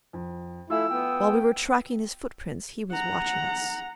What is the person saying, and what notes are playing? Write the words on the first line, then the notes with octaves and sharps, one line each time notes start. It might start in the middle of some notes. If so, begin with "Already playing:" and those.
While we were tracking his footprints he was watching us.
F2
A3 E4 F4 F5 G#5 E6
B3 G5
F#5 A#5